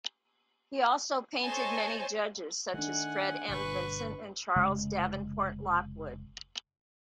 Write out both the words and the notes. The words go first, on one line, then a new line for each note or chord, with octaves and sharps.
He also painted many judges such as Fred M. Vinson and Charles Davenport Lockwood.
A4 C5 C#5 D#5 G#5 A5
D#3 A3 D4 F#5 G#5
G1 B2 A3 B4 C#6
F1 C#3 G#3